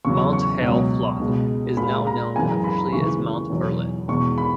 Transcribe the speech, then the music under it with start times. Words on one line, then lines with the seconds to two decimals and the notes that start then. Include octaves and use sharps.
Mount Hal Flood is now known officially as Mount Berlin.
0.05 E2 C#3 F#3 C#6
0.33 C#6
0.62 C#2 B2 F#3
1.19 C#2 B2 G#3
1.77 A#2 G#3 B5
2.07 A#5
2.35 F#2 E3 G#3 G#5
2.50 A#5
2.64 B5
2.78 B5
2.92 D#2 C#3 E3 G#3 C#6
3.50 E2 B2 F#3
4.08 E2 B2 G#3 C#6
4.38 B5